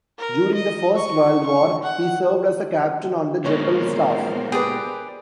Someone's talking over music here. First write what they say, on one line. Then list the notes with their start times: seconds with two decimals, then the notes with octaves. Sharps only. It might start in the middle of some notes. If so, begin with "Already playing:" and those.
During the First World War, he served as a captain on the General Staff.
0.19 A#4
0.55 D#5
0.96 C#6
1.46 C#6
1.83 F#5
3.44 A#2 G#3 B3 C#4 A#4 C5 C#5
4.52 G4 G#4 B4 D5